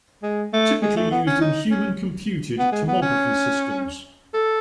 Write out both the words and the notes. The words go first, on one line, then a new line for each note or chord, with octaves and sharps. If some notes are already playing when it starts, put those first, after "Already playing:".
Typically used in human computed tomography systems.
G#3
A3
G#3
A3
B3
C#4
D#4
C#4
B3
G#3
B3
C#4
A4